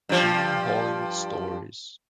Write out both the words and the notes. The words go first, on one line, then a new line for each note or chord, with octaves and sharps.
True Hollywood Stories.
G2 F3